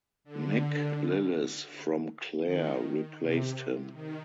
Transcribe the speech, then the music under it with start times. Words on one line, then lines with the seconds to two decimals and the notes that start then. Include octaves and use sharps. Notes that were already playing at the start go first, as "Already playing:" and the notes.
Mick Lillis from Clare replaced him.
0.24 D3
2.45 D#3
3.19 C3
3.93 D#3